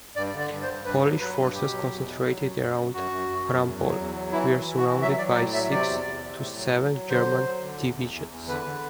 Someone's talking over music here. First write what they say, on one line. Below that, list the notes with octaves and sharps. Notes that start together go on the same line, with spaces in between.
Polish forces, concentrated around Frampol, were surrounded by six to seven German divisions.
G2 D5
D3
D5
G2
C5
G2
G2 B4
F#3
F#3 B4
G2
B2 G4
F#3
E2
B2
F#3
F#2
F#2
F#2
F#2 F#4
F#2
F#2
F#2
E2
F#3
E2
F#3
E3 E4
E3
E3
F#4
E3
F#3 E5
F#3 D5
A2 D5
F#3 E5
C3 D5
E2
E2
C3
A2
F#3
F#3
F#3
D3 C5
F#3
F#3
D3
E2
E2
E2
E2
D3 B4
D3